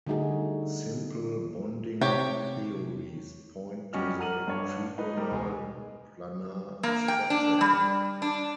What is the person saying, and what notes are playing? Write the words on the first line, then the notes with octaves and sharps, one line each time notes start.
Simple bonding theories point to the trigonal planar structure.
D3 G3 A3 D#4 F#4 G#4
C3 G4 C#5 G5
F#2 G3 C#4 F#4 D#5 F6
F#5 A#5 F6 D#7 F#7
G2 C#5
D#4 B4 D#5
G3 A#4
E1 G#3 G#5
A#3
G5
D4
G3
D4